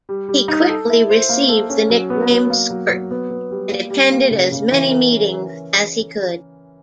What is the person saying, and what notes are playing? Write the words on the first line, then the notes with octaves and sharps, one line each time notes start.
He quickly received the nickname "Squirt" and attended as many meetings as he could.
G3
G3
D#4
A4
E4
C5
A#3
A4
C#4
F#3
B3
F#3
A#3
F#3
F#3
B3
B3
G3
A#3
G3
A#3
C#3
C#3
E3
A#4
C#4